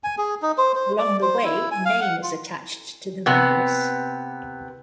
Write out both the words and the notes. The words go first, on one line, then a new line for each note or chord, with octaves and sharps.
Along the way, a name is attached to the virus.
G#5
G#4
D#4
C5
C5
D5
C5
E4
G#5
F5
F#5
F4
C3 B3